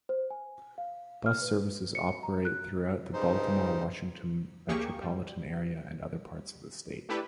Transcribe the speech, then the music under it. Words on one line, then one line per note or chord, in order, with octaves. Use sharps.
Bus services operate throughout the Baltimore-Washington Metropolitan Area and other parts of the state.
C5
G#5
F5
F6
B4
C#7
A#5
F#6
G2 C#3 D#4 C5
D2 A#3 G4 G#4 C#6
G3
A3 D4 E4 G4 A4 B4